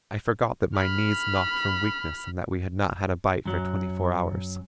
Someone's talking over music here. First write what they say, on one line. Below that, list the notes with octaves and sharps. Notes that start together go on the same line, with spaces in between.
I forgot that my knees knocked from weakness and that we had not had a bite for twenty-four hours.
B5 F6
F#2 F#3